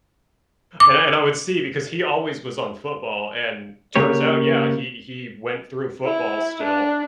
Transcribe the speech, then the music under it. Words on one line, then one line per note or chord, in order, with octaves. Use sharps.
and I and I would see because he always was on football and turns out, yeah, he he went through football still,
D6
C#3 A#3 G4 C#5
E4
D4